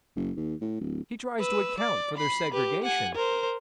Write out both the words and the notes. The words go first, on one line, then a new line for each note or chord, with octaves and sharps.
He tries to account for their segregation.
F#1
D#2
A2
D1
B4 E6
D5
B5 C7
G4 B4
F#5 G#5
A#4 C5